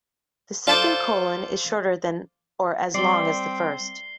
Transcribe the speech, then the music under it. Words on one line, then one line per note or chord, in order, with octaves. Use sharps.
The second colon is shorter than or as long as the first.
F4 A4 C5 D5
G3 C4 D5 C7 G7